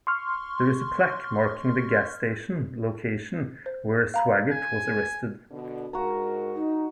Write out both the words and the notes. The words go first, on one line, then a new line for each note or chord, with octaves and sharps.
There is a plaque marking the gas station location where Swaggart was arrested.
C6 C#6 F6
C5
F5 A#5 B5
G#5
B2 D3
G#2 F#4 A#4 A#5
D#4